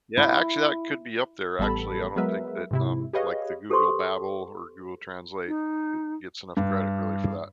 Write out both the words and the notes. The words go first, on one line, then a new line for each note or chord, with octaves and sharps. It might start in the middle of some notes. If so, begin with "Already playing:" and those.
Yeah, actually, that could be up there, actually, I don't think that, um, like, the Google Babble or Google Translate get gets enough credit, really, for that.
E4
A1 G3 B3 A4 A5 B5
F#3 G#3 B3 A#4 B4 E5
G#2 C3 E4
G4 G#4 B4 C#5 D#5 F5
G4 A4 B4 C5 C6 C#6
D#4
G2